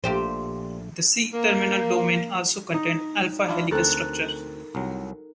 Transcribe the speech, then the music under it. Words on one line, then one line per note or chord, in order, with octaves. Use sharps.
The C-terminal domain also contains alpha-helical structure.
A#1 A#2 A3 G4 C5
A#3
D#4
D4 E4 F4
D2 C4 A4 A#4 F#6
C2 F#3